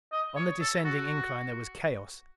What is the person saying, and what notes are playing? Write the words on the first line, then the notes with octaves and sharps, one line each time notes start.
On the descending incline there was chaos.
D#5
C#5
A4
F#4